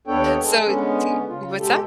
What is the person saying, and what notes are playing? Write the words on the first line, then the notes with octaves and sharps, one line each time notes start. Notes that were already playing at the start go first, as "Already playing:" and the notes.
So do what's that?
D#2 B3 D4 A4 C#5 G5
G#3 A4
D3 G#3 B3 C#4
C#3 F4
B2 G#3 G4 A4